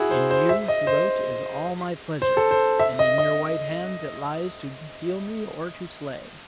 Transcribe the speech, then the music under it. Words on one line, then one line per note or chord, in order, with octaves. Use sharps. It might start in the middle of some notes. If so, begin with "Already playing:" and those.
In you--he wrote--is all my pleasure, and in your white hands it lies to heal me or to slay.
Already playing: E4 F#4 G#4
C5
C5
E5
D#5
C5
C5
A4
C5
E5
D#5
D#5